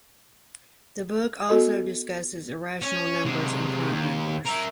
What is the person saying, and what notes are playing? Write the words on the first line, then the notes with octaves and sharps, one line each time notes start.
The book also discusses irrational numbers and prime numbers.
B3 F#4 A4 D#5
C#4
C3 G#3
D#2
A#4 E5